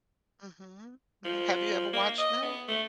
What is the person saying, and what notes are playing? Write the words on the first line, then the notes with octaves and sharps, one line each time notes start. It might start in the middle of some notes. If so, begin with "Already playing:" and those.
Mhm. Mhm have you ever watched them?
F3
A#3
D#5
B3
A3